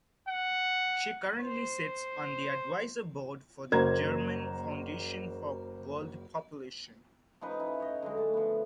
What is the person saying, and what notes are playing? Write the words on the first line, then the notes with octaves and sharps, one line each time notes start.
She currently sits on the Advisor Board for the German Foundation for World Population.
F#5
C5
F#1 A#3 F#4 C5 A#5 G#6
F3 C#4 D#4 B4
D#4 E4
C#5 D#5
D3 F#3 G#3
A3 A5
F3 B3